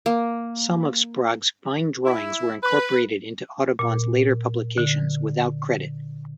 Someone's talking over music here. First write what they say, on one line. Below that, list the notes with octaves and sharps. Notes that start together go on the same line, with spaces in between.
Some of Sprague's fine drawings were incorporated into Audubon's later publications, without credit.
A#3
E4
B4
A#2
D3